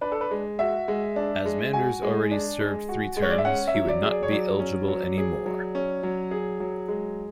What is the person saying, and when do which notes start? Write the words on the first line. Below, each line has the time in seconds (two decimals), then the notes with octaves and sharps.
As Manders already served three terms he would not be eligible anymore.
0.01 D4 B4
0.12 A4
0.21 B4
0.31 G#3
0.59 F#4 E5
0.88 G#3
1.16 D4
1.46 G#3
1.73 F#4 G#5
2.03 G#3
2.31 D4
2.60 G#3
2.89 F#4
3.17 G#3
3.22 C#5
3.30 D5
3.38 E5
3.45 C#4 F#5
3.68 E5
3.74 F#3
3.88 D5
4.02 G#4
4.10 D5
4.23 C#5
4.31 F#3 D5
4.59 C#4
4.88 F#3
5.18 G#4
5.46 F#3
5.75 C#4
6.03 F#3
6.31 G#4
6.60 F#3
6.88 G#3